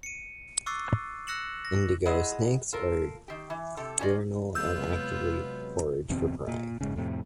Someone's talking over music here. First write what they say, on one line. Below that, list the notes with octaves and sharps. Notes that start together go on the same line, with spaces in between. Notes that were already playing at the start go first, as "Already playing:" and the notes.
Indigo snakes are diurnal and actively forage for prey.
C#7 D#7
C#6 D6 E6 F#6 A6 C7
E6 F#6 A#6 C#7 E7 F#7
A#6
G#3 E4 G#4 D#5 F#5
F4 A4 A#4
D#3 G4
E3
C3 G4 A4
C#4 F4 G4 A#4 D5 D#5
C3 F#3 G#3 B3 F4 B4 E6 G6
F#1 E2 B2 C4
A#2
F#1 G#2 C#3
F2 A2 C3